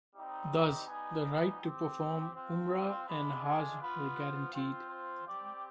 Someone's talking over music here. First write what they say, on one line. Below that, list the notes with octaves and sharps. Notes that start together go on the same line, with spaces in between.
Thus, the right to perform Umrah and Hajj were guaranteed.
G3 C4 D#4 G4
G3 B3 D#4 G#5
G#5
C4 G4
C4 F4
G#3 D4 F4 B5
G#5
B3 F4 B4
C5
C4 F4
C5
G3 C4 G4 D5